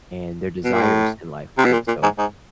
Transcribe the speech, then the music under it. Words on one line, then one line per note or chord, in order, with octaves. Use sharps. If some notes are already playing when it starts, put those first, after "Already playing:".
and their desires in life, right, so,
B2
A#2
A2
C3
B2
A#2
A#2
G#2
G#2